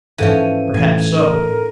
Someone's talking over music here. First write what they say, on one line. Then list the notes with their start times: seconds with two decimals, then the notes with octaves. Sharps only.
Perhaps so.
0.18 G#2 E3 F3 C#4 A4 D#7
0.74 A2 E3 G#5
1.13 A#4